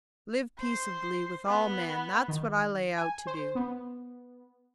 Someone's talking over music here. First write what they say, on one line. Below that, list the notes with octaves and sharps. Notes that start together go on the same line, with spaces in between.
'Live peaceably with all men'--that's what I lay out to do.
C5
B3
D#3
G#5
C5
B3